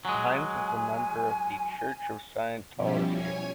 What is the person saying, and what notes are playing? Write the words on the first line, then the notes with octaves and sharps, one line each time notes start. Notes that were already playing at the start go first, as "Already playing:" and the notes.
Hynes is a member of the Church of Scientology.
F#3 G#3 G#5
B2 F3 G3 C#4 E4 G4
C#5 G#5 G#6